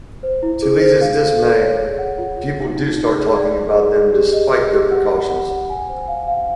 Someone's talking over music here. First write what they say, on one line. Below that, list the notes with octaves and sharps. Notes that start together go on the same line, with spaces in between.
To Liza's dismay, people do start talking about them despite their precautions.
C5
E4
G#4
C5
F5
A4
A4
C#5
G#4
F#5
F4
F4
D#4
D#4
D#4
G#4
D5
D5
G#4
G#4
G4
D#5
D#5
G4
F#5
B5
F#5
F#5
G#5
C5
F5
F5